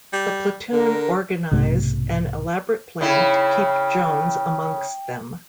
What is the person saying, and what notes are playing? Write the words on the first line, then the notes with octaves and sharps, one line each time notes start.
The platoon organise an elaborate plan to keep Jones amongst them.
G3
D3 A#4
B1 G#2 C3 A3
C#3 E4 G5